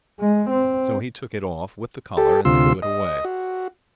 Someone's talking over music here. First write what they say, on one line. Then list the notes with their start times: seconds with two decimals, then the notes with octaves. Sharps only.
So he took it off with the collar and threw it away.
0.20 G#3
0.50 C4
2.17 G4 A4
2.45 D2 C3 F4 C6 E6
2.82 D#5
3.25 F#4